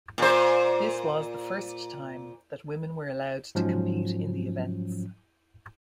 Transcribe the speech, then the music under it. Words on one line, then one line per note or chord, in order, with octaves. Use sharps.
This was the first time that women were allowed to compete in the events.
A#2 C5
G#2 F3 F#3 C#4